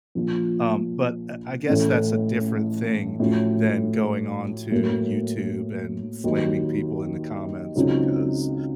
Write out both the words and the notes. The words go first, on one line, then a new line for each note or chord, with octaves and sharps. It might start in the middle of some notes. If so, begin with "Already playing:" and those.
Um, but, uh, I guess that's a different thing than going on to YouTube and flaming people in the comments because
A#1 A#2 F3
A1 A2 A3 C#4
A2 F3 A3 C#4 F#4
A2 F#3 A#3
D#2 D#3 F#3
C#2 C#3 F#3 C4 D#4